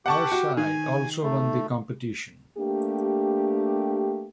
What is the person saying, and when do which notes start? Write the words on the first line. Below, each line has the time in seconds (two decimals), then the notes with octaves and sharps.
Her side also won the competition.
0.06 G4 F#5 A5 C#6
0.32 F#4
0.57 D#3 G#5
1.23 A3
2.58 A3 A#3 D4 G4